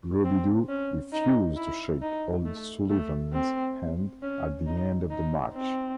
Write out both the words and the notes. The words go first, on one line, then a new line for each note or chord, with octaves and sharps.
Robidoux refused to shake O'Sullivan's hand at the end of the match.
C4
C#4
D#4
E4
D#4
A3
A3
C4
C#4
D#4
D#4
C4